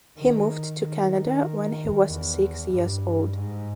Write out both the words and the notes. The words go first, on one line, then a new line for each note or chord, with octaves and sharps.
He moved to Canada when he was six years old.
D#3
D#3
E2
G2
G#2